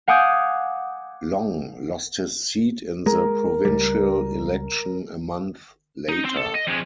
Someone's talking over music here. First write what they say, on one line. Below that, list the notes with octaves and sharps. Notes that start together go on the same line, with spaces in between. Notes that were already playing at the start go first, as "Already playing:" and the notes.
Long lost his seat in the provincial election a month later.
F5 F#5 G#5 D6 D#6 G6
G#3 A#4
C#2 G3
D#4
C4 C6
A4
D#5
F2 G#3